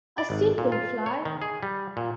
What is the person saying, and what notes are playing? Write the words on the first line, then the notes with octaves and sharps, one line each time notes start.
A sequel, Fly!
D5
G#1
A#2
F4
C#5
D#3
G#4
G3
A#2